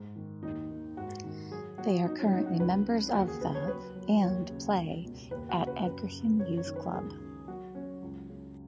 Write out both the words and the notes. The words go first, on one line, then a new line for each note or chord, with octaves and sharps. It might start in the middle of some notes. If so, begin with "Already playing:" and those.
They are currently members of the and play at Egerton Youth Club.
Already playing: G#2
D#3
D#2 D#4
D#3
G#2 F#4
D#3
F#3 G#4
F#3 F#4
F#3 D#4
C#4
F#3 D#4
F#4
C#2 B4
C#3
D#2 F#4
G#4
C#3 B4
C#5
F#3 B4
F#3
D#2 C#5
C#3
C#2
B2
D#2 B4
F#4
C#3
B4
F#2 B4
C#3
F#2 C#5
C#5
D#3
B4
C#2 G#4
C#3
F#3 F#4
F#3 C#4
C#2
C#3